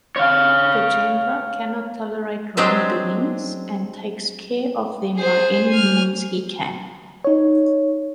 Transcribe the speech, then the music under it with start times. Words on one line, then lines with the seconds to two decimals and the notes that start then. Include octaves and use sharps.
Gajendra cannot tolerate wrongdoings and takes care of them by any means he can.
0.16 C#5 F5
2.57 F#3 G#3 C4 D4 G4 G#4
5.18 G#4 C5
5.69 G#5 F6
7.25 D#4 C#5